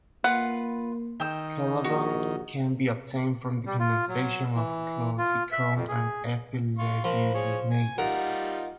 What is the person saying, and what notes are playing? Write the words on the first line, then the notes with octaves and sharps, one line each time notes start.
Kelevan can be obtained from the condensation of chlordecone and ethyl-levulinate.
A#3 F4 B4 F#5
D#3 G5 E6
A#1 F#4
G3
F4
F#3
E3
F4
E5
F2
G#4
F5 C6 C#6
F3 A#4 B5
G#4 C#5
G#5
G3 D#4 F4 A#4 F#5